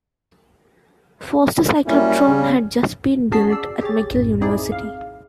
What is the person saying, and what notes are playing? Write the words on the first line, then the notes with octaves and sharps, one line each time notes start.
Foster cyclotron had just been built at McGill University.
F#2 G3 A#3 C#4 E4
C#3
C#4 F#4 G#4 A5 B6 C7
D5 E6
G4 G#4 C#5 A6
A#1 F#2 A2
C4 D#4 E4 G#4 D5
F5